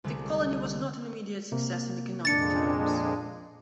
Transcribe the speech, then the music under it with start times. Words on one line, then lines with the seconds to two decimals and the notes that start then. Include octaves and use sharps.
The colony was not an immediate success in economic terms.
0.04 C2 D3 G#3 A3
1.52 C3 A#3
2.25 F2 A#2 G#3 D4 A6 C#7